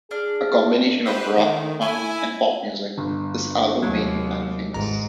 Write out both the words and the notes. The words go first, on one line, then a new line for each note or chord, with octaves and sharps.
A combination of rock, punk and pop music, this album made the band famous.
D4 G#4 F6
A3 G4 B4 C5
D#3
E4 G#5
G1
D#2 C3 F#3
G#1 G#2 A#5